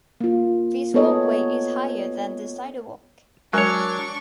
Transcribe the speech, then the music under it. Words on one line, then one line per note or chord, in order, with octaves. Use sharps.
This walkway is higher than the sidewalk.
A#3 F4
B3 A4 C#5 D#5
F#3 G#3 D4 A#4 C#5 G#5 C#6